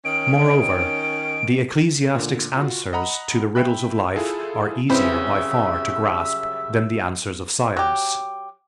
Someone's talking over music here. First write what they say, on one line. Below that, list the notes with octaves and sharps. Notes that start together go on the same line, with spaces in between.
Moreover, the ecclesiastic's answers to the riddles of life are easier, by far, to grasp than the answers of science.
D#3 C#4 D7
A#2 D3
F4 F#4
D#5 F#5 A#5 B5
E5 G5 B5 F#6
E4 F4 G#4 A4
F#2 C#3 G3 C4 E4 B4 C5 E5
F#3 G4